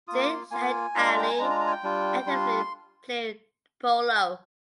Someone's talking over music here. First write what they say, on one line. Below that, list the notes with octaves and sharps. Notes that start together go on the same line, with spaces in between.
Syed Shahid Ali actively played polo.
A#3 F4 D#6
D6
C6
A#3 F4 G#5
G#3 D4 F4 A#5
G5
G#5
G#3 D4 F4 A#5
A#5
A#5
G#5
G5
G3 D4 F4
G3 D4 F4 C6